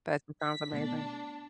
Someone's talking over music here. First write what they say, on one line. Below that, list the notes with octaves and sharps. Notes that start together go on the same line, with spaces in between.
that sounds amazing.
B6
B2 A3 B3 D4